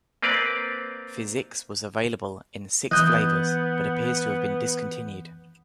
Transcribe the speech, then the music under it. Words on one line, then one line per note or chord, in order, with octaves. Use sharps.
Fizzix was available in six flavors, but appears to have been discontinued.
A#3 C4 B4 D5 F5
E3 B3 D#5 D#6 F#6 G6